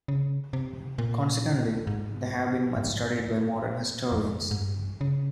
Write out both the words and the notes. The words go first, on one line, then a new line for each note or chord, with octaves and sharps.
Consequently, they have been much studied by modern historians.
C#3
C3
A#2
G#2
G#2
F2
G#2
G2
C#3